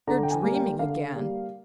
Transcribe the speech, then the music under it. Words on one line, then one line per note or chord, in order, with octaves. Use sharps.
"You're dreaming again."
D3 A#5
G5
G#5
G3 A#3
G5
D3 F5
G3 A#3